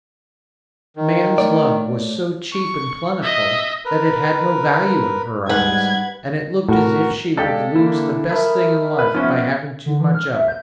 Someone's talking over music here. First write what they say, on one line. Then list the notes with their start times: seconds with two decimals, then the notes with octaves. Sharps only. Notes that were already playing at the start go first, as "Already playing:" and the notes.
Man's love was so cheap and plentiful that it had no value in her eyes, and it looked as if she would lose the best thing in life by having too much of it.
0.96 D#3
1.38 A3 C#5 D5
2.52 C#6
3.22 D#5 E5
3.85 A#4 B4
5.49 G#2 G3 B4 F#5 G#6
6.69 A2 F#4 A#4
7.37 G#3 G4 A4 D5 F5
7.76 D3 A#3 E4
8.29 A3 A#4 E5 B5 D#6
8.99 B4 F6
9.14 F3 B3 C#4 D5 E5 B5
9.86 D3
10.00 E3
10.15 F6
10.35 E5
10.48 G6